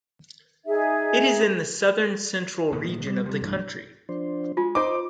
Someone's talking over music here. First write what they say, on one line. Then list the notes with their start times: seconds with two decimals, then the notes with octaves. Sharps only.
It is in the southern central region of the country.
0.66 D#4 G#4 E5
2.72 D#1 D#2 G#2 B3
3.07 G3
3.26 C3 G3
3.41 B1 G2 E3
4.09 F3 D4 C5
4.57 G#3 F4
4.75 D#4 C5 D#5 D6